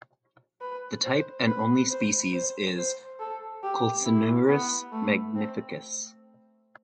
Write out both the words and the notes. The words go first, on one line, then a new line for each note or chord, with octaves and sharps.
The type and only species is Khulsanurus magnificus.
B4
C5
B4
C5
C5
C5
A4
G4
E4
B3
A3
C4